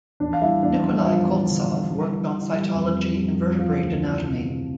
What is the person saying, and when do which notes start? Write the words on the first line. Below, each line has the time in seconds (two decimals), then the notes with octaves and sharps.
Nikolai Koltsov worked on cytology and vertebrate anatomy.
0.20 E2 D4 D5
0.33 F5
0.42 G3 E4 E5
0.63 E2 D4 D5
0.84 G3
1.05 F3 G3 F4
1.26 E2
1.47 D3
1.69 D3
1.89 G3
2.11 E3
2.32 E3
2.53 G3
2.74 F2
2.95 F2
3.16 G3
3.37 F2
3.59 E3 F3 F4
3.80 D2
4.01 E3
4.22 D2
4.43 C3